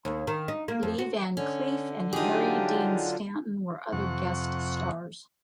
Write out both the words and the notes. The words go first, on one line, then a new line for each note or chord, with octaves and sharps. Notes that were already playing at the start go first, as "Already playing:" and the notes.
Lee Van Cleef and Harry Dean Stanton were other guest stars.
D#2
D#3
D#4
A#3
F2
F#4
D3 C#4
F#3 D4 D#4 F4 G4 G#4
F2 C3 F#5 C#6